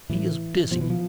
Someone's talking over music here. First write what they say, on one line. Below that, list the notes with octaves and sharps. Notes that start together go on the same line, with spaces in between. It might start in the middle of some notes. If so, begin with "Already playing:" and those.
"He is busy."
A2 E3
B2 F3
E3
F3